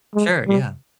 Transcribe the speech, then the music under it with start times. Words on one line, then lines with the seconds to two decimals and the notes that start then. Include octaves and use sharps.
Sure, yeah.
0.15 G#3
0.47 G3